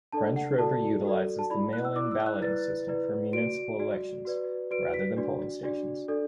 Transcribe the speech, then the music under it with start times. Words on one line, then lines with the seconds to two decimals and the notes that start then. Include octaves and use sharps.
French River utilizes the mail-in balloting system for municipal elections rather than polling stations.
0.12 D4 A4 D5 A5
0.36 F#5
0.58 F#4 A4 D5 A5
1.05 F#4 A4 D5
1.39 A5
1.50 E4 D5 B5
1.73 F#6
1.85 E6
1.96 E4 D5 D6
2.11 E6
2.26 F#6
2.42 E4 B4 D5 A6
2.88 E4 B4 D5
3.33 F#4 D5 D7
3.79 F#4 D5
4.25 F#4 B4 D5
4.71 F#4 B4 D5 D7
4.94 B6
5.17 D4 F#4 D5
5.63 D4 F#4 D5
6.08 D4 A4 D5